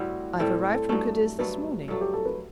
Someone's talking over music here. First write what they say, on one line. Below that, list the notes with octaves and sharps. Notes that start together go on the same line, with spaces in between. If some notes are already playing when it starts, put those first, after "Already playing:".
I have arrived from Cadiz this morning.
Already playing: A2 G3 C4 E4 F#4
A2 G3 C4 E4 A4
A4
G2 F#3 A3
G2 F#3 A3 B4
G2 F#3 A3 A4
G4
A4
B4